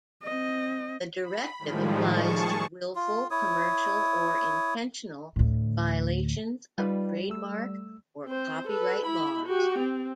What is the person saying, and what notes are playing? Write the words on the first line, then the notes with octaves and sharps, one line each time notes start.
The Directive applies to "willful, commercial or intentional" violations of trademark or copyright laws.
C4 D#5
B5
A2 D#3 F3 G3 G#3
G#4 A5 C#6
F4
E4 C#5 D#6
D2 A2
G3 D#4 F4 B4
A3 E6
C4 C5
A4 B4
E4 B5
F#4 G4
C4